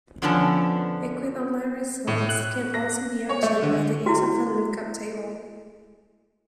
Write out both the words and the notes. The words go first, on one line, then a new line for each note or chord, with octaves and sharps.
Equivalent results can also be achieved by the use of a look-up table.
F2 D3 F3 B3 C#4 A5
A2
F#6
A#6
C#5
A3
D3
E4 F#4